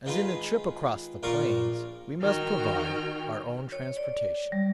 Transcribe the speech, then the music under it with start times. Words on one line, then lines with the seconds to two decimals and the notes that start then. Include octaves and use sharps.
As in the trip across the Plains, we must provide our own transportation.
0.06 D#3 G#3 F4 B4
1.23 A#1 F4 A#4 D5 F5 C#6
2.21 D#3 F#4 G5 F6
3.72 C#5
3.97 D5
4.52 G3